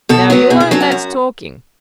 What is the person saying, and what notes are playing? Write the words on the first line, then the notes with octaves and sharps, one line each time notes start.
Now, you'll own that's talking.
B2 A4
F#3 B3 F#4
B2 G#4
G#4
F#3 C#4 A4
F#4
F#2